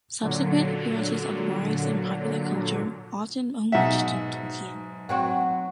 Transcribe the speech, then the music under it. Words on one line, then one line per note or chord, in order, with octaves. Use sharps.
Subsequent appearances of wargs in popular culture often owe much to Tolkien.
A#2 D3 F#3
B1 G#2 E5 F#5
F#3 C4 F#4